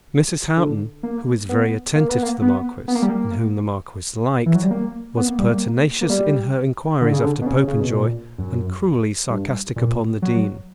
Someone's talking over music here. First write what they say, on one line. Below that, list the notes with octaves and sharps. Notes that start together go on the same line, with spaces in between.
Mrs. Houghton, who was very attentive to the Marquis and whom the Marquis liked, was pertinacious in her enquiries after Popenjoy, and cruelly sarcastic upon the Dean.
D3
A#3
B3
A#3
B3
A#3
B3
B3
A#3
G3
A#3
E3
F#3
G3
A#3
B3
A#3
G3
A#3
A#3
G3
D3
C#3
D3
B2
C#3
C#3
B2
A#2
F#2
G2
A#2
F#3